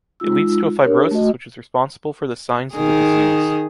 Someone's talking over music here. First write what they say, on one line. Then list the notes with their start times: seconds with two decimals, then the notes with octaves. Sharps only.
It leads to a fibrosis which is responsible for the signs of the disease.
0.20 G#3 D#4 F4 E6
0.83 D4 G4 A#4 C#5
1.11 A3 F#4 D#5
2.74 D#3 G#4